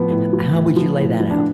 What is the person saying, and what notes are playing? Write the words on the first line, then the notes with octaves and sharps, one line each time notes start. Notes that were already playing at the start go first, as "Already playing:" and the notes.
H how would you lay that out?
Already playing: A2 F3 B3
A2
F3
A2
F3
A2
F3
D4